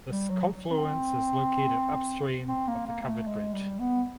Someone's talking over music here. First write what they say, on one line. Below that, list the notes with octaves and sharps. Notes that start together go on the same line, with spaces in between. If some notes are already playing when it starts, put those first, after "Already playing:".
This confluence is located upstream of the covered bridge.
G3
F#3
C4
C4
A#3
A#3
A#3
A3
G#3
G3
B3